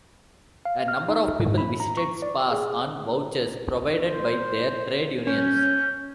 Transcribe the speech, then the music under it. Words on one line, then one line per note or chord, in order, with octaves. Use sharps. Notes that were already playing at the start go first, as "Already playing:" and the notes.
A number of people visited spas on vouchers provided by their trade unions.
F5
F6
D#4
G#2
B5
A#5
C#6
D5
G#4
C5
C#4 G6